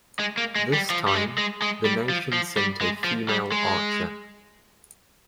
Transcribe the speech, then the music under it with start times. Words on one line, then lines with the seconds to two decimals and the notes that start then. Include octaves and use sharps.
This time, the nation sent a female archer.
0.19 G#3
0.38 A#3
0.56 G#3
0.73 G3
0.90 F3
1.08 G3
1.15 G#3
1.38 G#3
1.62 G#3
1.85 G3
2.10 F3
2.33 F3
2.57 G3
2.81 G#3
3.04 F3
3.29 G3
3.52 G#3